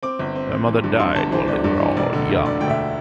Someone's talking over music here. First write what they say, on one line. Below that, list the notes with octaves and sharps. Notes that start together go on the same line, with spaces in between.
Their mother died while they were all young.
C4 D6
G1
C4
C4
E3
G2
G2 C6
G1 A5
E3 C5
G1 D5
G2
E3
E1 D5
D3
D2
D3 D5
D2 G5
E5